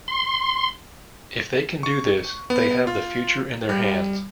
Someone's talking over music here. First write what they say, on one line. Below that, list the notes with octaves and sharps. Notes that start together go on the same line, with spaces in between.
If they can do this, they have the future in their hands.
C6
C#6
B3
F4
G3